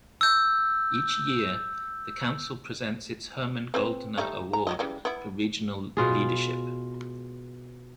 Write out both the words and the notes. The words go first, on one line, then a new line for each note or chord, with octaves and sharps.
Each year the council presents its Herman Goldner Award for Regional Leadership.
E6 G6
C4 B4 G#5
G3 A3 D#4
A#5
F#3 G3 D#5
C#3 E3 G3
B3 E4
B2 F4 G#4